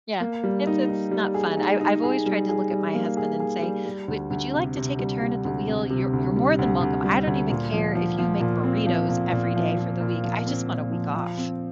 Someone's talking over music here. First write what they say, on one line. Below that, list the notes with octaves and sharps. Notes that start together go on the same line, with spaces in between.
Yeah, it's it's not fun, I I've always tried to look at my husband and say, "W would you like to take a turn at the wheel? You're you're more than welcome. I don't even care if you make burritos every day for the week, I just want a week off."
A#3
G3
D#4
D#4
G3
G#4
D#4
D#4
G#4
G3
G#4
G3
A#3
G#4
G#4
G3
G3
D2
D2
C3
C3
G3
G3
D2
C3
C3
D2
G3
D2
D2
G3
D2
A#2
F3
F3
F3
A#2
C4
F3
A#2
A#2
F3
F3
A#2
F3
C4
A#2
F3
F3
C4